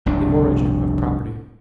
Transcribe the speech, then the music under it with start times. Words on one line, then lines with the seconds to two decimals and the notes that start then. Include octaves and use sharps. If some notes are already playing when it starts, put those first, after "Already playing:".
The Origin of Property.
0.06 F1 C2 G2 D4